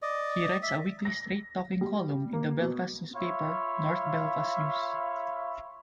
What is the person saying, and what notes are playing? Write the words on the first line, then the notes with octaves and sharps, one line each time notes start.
He writes a weekly "Straight Talking" column in the Belfast newspaper "North Belfast News".
D5 D#5
E5
A#6
G3
A#3
B2
F4 C#5 E5 F5 B5